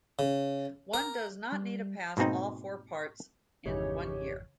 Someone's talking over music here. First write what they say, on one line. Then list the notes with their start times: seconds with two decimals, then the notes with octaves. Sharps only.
One does not need to pass all four parts in one year.
0.19 C#3
0.94 A#4
1.52 G3
2.17 G#2 B2 A#3 C4 D#4
3.66 G#1 F2 C#3 E3 D#4 G4 C#5